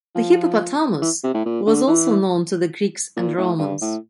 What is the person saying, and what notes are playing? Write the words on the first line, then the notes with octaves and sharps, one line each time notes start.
The hippopotamus was also known to the Greeks and Romans.
F3
E3
C3
A2
A#2
D3
E3
A#2
A2
G2
A2